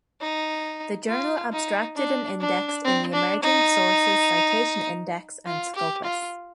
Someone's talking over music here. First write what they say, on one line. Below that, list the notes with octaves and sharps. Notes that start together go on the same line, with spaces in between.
The journal abstracted and indexed in the Emerging Sources Citation Index and Scopus.
D#4
F4
D#4
D4
D4
C4
D4
D#4
F4
G4
F4